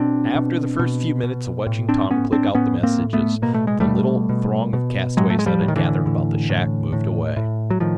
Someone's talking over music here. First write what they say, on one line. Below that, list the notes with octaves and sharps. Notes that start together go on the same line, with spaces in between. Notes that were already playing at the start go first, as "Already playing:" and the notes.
After the first few minutes of watching Tom click out the messages, the little throng of castaways that had gathered about the shack, moved away.
Already playing: B2 C4 D4
B2
B2
B2
A2
C4 D4
A2 B3 C#4
C4 D4
A2 B3 C#4
A#3 C4
A2
A3 B3
B2 A#3
A3
G#3
G3 A3
B2
B2
B2
A2 F#3 G#3
A3
G#3
F3 G3
A2
D#3
D3 E3
A2
A2
A2
A2
F#3
A2 D#3 F3